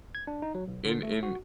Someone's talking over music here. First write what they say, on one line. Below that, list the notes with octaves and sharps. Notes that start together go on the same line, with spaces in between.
in in
G#6
D4
D#4
F#3
B1
D3
A3
F#4